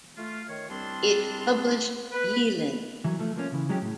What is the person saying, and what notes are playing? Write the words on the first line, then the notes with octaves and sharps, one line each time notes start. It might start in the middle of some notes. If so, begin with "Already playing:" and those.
It published "Yeelen".
A3 F4
D#3 C#5
C2 G3 C4 D4 A5 C6
B4
E3 F#3
F3 A3
F3 A#3 C#4
C#3 E3
F#3 G#3 C#4 G4
A2